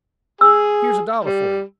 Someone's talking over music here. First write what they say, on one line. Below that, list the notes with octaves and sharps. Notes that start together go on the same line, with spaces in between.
Here's a dollar for you.
G#4 E6
G3